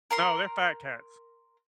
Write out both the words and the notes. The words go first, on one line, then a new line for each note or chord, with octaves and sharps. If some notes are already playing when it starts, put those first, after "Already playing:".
No, they're fat cats.
A#4 A#5 C6